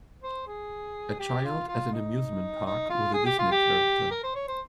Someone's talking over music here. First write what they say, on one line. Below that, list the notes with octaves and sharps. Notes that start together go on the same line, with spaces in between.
A child at an amusement park with a Disney character.
C5
G#4
G4
F4
F4
D#4
D#4
F4
G#4
G4
F4
G4
A#4
C5
C#5
C5